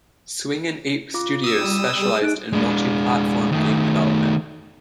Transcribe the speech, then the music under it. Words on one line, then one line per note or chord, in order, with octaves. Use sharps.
Swingin' Ape Studios specialized in multi-platform game development.
F4 D6
D#6 E6
G3
G#4
D#4 F#6 D7
G#3 D4
D#3 A3